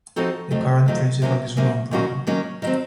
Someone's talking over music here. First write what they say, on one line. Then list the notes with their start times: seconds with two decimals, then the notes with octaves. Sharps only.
The current principal is Ron Brown.
0.16 F3 C4 D#4 F#4 A4
0.51 F2 D#3 F#3 A3
0.86 F2 D#3 F#3 A3
1.22 C3 F#3 A#3 C#4
1.57 C3 F#3 A#3 C#4
1.91 D#3 F#3 A#3 C#4 F#4
2.27 D#3 F#3 A#3 C#4 F#4
2.62 D#3 F#3 C4